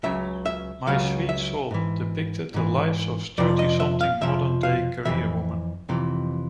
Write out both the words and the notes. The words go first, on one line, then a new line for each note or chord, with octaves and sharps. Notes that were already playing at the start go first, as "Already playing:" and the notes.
"My Sweet Seoul" depicted the lives of thirty-something modern-day career women.
C#2 C#3 F#3 E5
E5
C#2 C#3 F#3 F5
E5
G#2 E3
G#2 E3
F2 C3 F3 D5
D#5
E5
F5
F2 C3 F3 E5
F5
F2 C3 E3 E5
F2 C3 E3